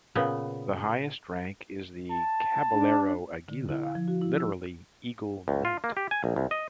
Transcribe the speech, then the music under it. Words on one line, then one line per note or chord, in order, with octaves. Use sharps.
The highest rank is the "Caballero Aguila", literally "Eagle Knight".
A#2 C#3 B3
A5
D4
D3
E4
F5
F3
F#4
E4
E6
C#2
F4
A#3
G4
G#5
A#1
C2
D#5